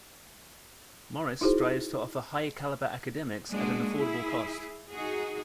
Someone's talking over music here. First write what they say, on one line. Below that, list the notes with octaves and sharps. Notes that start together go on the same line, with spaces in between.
Morris strives to offer high-caliber academics at an affordable cost.
D#4 E4 F#4 G#4 C5
G#3 A#3 D4 F#4 G#4
E4 G#4
D#4 F#4 G#4